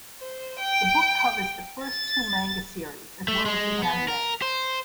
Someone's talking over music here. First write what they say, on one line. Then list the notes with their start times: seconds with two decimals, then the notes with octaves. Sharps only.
The book covers the first two manga series as well as the anime.
0.20 C5
0.60 G5
1.83 A6
3.28 A3
3.46 G#3
3.82 B3
4.08 A#4
4.42 C5